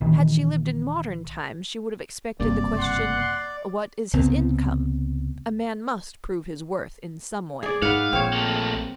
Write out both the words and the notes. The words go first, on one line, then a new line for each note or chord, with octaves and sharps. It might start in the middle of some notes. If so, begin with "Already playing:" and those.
Had she lived in modern times she would have expected the question, "What is his income?" A man must prove his worth in some way.
A#1 D#3 E3
F#1 G2 C3 A#3 D5
F#5 C6
C#2 C3 B3 C4
G#4 D5
G#2 B4 F5 F#5
A#1 C4 C#5
A3 A#3